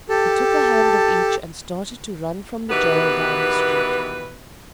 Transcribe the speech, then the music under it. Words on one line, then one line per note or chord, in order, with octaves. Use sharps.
He took a hand of each and started to run from the jail down the street.
G4 A4 A5
B2 D#3 E3 B3 G4 B4